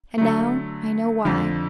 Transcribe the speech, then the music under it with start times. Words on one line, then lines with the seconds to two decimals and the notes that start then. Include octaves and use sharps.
And now I know why.
0.18 D3 F#3 A3
1.25 F2 D3 F3